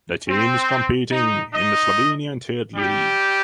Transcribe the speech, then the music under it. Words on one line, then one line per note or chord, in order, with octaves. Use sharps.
The team is competing in the Slovenian Third League.
C4
D#4
D#4 D#5
G3 G4